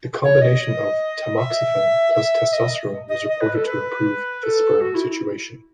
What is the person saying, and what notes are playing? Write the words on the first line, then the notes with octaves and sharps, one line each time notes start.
The combination of tamoxifen plus testosterone was reported to improve the sperm situation.
C#5
D#5
E5
E5
D#5
D#5
D#5
B4
A4
B4
A4
F#4
E4